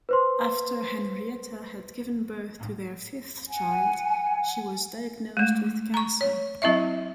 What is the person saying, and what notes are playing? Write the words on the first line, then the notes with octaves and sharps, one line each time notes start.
After Henrietta had given birth to their fifth child she was diagnosed with cancer.
B4 C5 C6
F#5 G#5
G#3 A3
A#5 C#6
C#5
F#3 C4 E4 D#5 E5